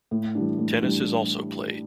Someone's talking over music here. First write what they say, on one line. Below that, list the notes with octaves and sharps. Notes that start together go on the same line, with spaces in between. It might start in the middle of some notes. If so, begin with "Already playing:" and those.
Tennis is also played.
A2
E3 G3 D4
A2
E3 G3 D4